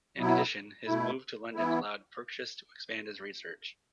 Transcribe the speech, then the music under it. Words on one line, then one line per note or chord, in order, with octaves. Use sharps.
In addition, his move to London allowed Purchas to expand his research.
B2 F#3 B3 E4
B2 A3 E4
E3 B3 E4